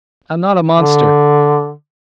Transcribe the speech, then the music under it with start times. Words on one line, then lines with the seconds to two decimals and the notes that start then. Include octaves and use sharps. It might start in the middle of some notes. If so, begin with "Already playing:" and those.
I am not a monster.
0.79 D3